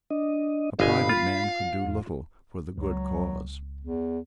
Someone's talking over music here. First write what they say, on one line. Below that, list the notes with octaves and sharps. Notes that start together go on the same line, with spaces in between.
A private man could do little for the good cause.
D4 D#5
G1 D#5 F5 G#5 B5
F4
E2
C#2 F#3
E2